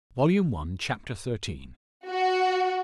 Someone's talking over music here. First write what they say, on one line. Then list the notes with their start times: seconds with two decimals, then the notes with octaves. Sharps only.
Volume One, Chapter XIII.
2.08 F#4